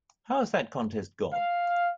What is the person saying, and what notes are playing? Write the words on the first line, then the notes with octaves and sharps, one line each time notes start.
How has that contest gone?
F5